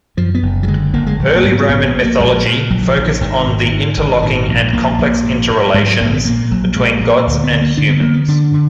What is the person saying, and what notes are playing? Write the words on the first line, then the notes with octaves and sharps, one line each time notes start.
Early Roman Mythology focused on the interlocking and complex interrelations between gods and humans.
F#2 F3
B3
F#1
F#3
D3 G#3
F#1 A#3
G#3
A#1
A#3
G#2
B3
A#1 B3
B3
A#1
A#3
A#1 G#3
A#2
A#1 F#3
D#3
F3
A#1
D#3
G#1 D#3
G#2
G#2
G#1
A#2 D#3
A#1
A#1 A#3
A#1
G#2
G#2
G#2 G#3
F#3
A#1 A#3
B3
A#2 A#3
A#1 F#3
A#2 G#3
A#2
D2
B3
D3
A#3
D3 D4
B3
D3 A#3
B3
D3 D4
D3